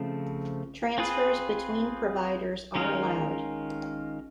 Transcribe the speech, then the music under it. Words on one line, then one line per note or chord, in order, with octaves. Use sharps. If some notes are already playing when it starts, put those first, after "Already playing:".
Transfers between providers are allowed.
Already playing: C#3 F3 A3 C4
C4 F4 G#4 B4
D#3 G#3 C#4 F4 A#4